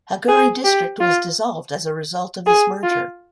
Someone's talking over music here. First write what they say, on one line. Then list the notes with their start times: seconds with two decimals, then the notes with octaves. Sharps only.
Haguri District was dissolved as a result of this merger.
0.28 G#4
0.64 G4
1.00 F4
2.46 G#4
2.83 F4